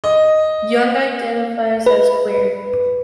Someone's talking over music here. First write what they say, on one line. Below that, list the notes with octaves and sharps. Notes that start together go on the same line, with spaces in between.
Young identifies as queer.
D#5
B4